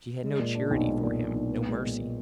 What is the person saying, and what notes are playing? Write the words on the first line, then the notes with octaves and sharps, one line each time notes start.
She had no charity for him, no mercy.
G#3
A#2
D4
B1
G#3
A#2
D4
B1
B3
G#3
A#2
A#2